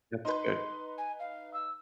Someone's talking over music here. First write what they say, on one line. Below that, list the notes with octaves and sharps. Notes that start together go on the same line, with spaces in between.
That's good.
D#4 B4 C6
G#5
F5
E6